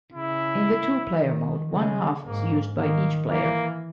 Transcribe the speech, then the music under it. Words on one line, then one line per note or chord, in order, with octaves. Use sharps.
In the two-player mode one half is used by each player.
C#3 E4
D#3
C#3 G#3
G#2 A#3
D#3 A#3
E3 A#3